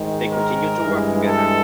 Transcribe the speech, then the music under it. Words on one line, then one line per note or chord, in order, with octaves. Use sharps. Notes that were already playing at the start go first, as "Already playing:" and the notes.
They continue to work together.
Already playing: G#2 D#3 G#3
A#4
G2 E3 G#3
A4